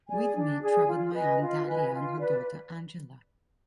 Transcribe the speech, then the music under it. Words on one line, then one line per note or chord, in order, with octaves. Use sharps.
With me travelled my Aunt Dahlia and her daughter Angela.
G#4 D5 G#5
D4
G#4 D5 G#5
F4
B4 D#5 G#5
F4
B4 D#5 G#5
F4
B4 D5